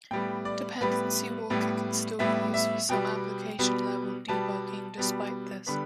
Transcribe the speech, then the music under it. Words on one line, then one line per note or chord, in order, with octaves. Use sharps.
Dependency Walker can still be used for some application level debugging despite this.
A2 G3 B3 G5
D5
A2 G3 B3 B4
A2 G3 B3
A2 G3 B3 E5
E5
B2 G3 B3 G5
B2 G3 B3
B2 G3 B3 A5
B2 G3 B3
D3 G3 B3 B5